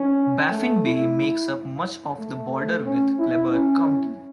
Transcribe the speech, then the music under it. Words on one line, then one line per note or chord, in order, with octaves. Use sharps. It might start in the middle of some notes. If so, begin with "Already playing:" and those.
Baffin Bay makes up much of the border with Kleberg County.
Already playing: C#4
A3
E4
A3
C#4
E4
C#4